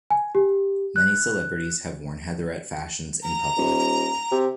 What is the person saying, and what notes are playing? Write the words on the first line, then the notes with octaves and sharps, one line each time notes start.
Many celebrities have worn Heatherette fashions in public.
G#5
G4
F#6
A#5
D#1
C3